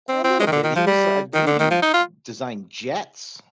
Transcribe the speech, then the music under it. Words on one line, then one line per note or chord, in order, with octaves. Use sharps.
A little bit. He was I believe he d designed jets,
C4
C4
G#3
D#3
D3
D#3
F3
G3
D#3
D3
D#3
F3
D#4
F4